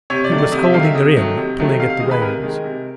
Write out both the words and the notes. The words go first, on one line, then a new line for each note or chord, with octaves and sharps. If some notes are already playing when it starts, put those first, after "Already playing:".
He was holding her in, pulling at the reins.
C3 C#5
D5
D#3 F#3 A3
D5
C3 D#5
E5
D#3 F#3 A3 F5
E5
C3 D#5
D#3 F#3 A3
C3
D#3 F#3 A3
C3 F5
F5
D#3 G#3 D#5
B4
C3 A#4
D#3 G#3
C3